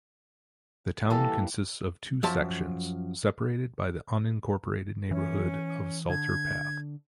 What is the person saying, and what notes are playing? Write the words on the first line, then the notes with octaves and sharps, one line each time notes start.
The town consists of two sections, separated by the unincorporated neighborhood of Salter Path.
E3 G3 A#3 A4
F#2 F3 A5
E3 C#4
D3 G#6